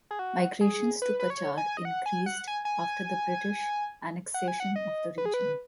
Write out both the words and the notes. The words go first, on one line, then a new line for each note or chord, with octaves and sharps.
Migrations to Cachar increased after the British annexation of the region.
G#4
F#4
G#4
B4
B4
C#5
G#5
D#5
F#5
G#5
F#5
G#5
G#5
F#5
G#5
F#5
D#5
B4
G#4
B4